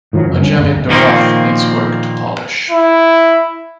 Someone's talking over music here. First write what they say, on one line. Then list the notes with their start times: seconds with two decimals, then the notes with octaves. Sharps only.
A gem in the rough needs work to polish.
0.13 A2 D#3 F3 F#3
0.25 F#1 C#4
0.39 D3 G3 B3 C#4
0.56 F1 D2 G2 A#3
0.70 D1
0.90 A#2 D#3 F3 A#3 C4
2.70 E4